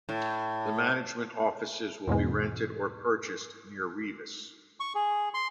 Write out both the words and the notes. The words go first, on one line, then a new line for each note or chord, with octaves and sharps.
The management offices will be rented or purchased near Rivas.
A2
E2 G#2 B2 G#3
C#6
G#4
C6